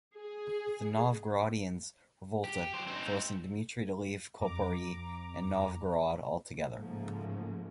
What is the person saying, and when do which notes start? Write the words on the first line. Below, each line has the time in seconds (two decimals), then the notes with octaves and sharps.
The Novgorodians revolted, forcing Dmitry to leave Koporye and Novgorod altogether.
0.16 G#4
2.44 G4
2.73 F#3 C5
2.87 C4 D#4
4.40 F2 A#5 D6
6.72 G#2 C#3 F3 A3 A#3